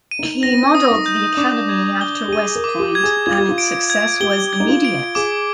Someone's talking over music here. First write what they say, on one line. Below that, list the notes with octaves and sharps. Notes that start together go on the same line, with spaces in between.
He modeled the academy after West Point and its success was immediate.
D#7
D#4
C4 A#6
D#6
D#4
G6
D4 D6
G#6
G7
G4
G#4 D#7
A#4
D6
G4
G#6
G#4
F4 G#6
G4
F4
D7
G#6
G4 G7
G#6
D#4
F4
D7
G#4 D6